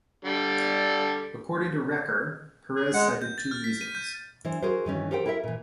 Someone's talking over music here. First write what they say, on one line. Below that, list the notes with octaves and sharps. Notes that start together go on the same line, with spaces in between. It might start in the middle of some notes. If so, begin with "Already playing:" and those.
According to Reker, Perez cited two reasons.
D3 G3 A4
G#4
G#3 F#5
G6
A6
F6
B6
D#7
G6
E3 D4 C5
F#4 G#4 A#4 C5
G2 D#3 E3 C#4
G4 A4 A#4 C5 D5 G5
E4 A4 A#4 D5 E5
A#2 E3